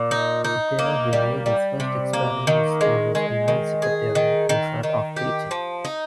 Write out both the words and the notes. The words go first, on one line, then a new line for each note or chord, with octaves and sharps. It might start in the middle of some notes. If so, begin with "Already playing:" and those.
There he made his first experiments in his "emancipatory" method of teaching.
Already playing: A#2
D#4
D#4
A#3
G3
G3
C3
A#3
D#3
G#3
G#3
D#3
G#4
D#3
D#3
D#3
G4
F3
D#4